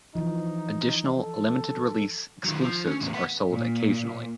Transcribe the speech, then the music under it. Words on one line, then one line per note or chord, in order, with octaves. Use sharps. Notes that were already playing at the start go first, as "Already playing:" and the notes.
Additional limited-release exclusives are sold occasionally.
E3 F3 D#4
A4
D#3 F#3
F3
C#4
E2 A2
B4 F#5
A#2